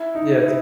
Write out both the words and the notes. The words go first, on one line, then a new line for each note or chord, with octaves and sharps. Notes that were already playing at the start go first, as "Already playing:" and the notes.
Yeah, t
Already playing: E4
D#4
E4